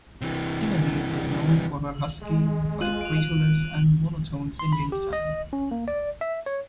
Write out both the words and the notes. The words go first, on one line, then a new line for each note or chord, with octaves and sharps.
Timony was known for her husky, vibrato-less and monotone singing style.
C3 E3
G#3
F4 F#6 D#7 F#7
D7 F7
C6
B5
G4
D#5
C#4
A#3
D5
E5
C#5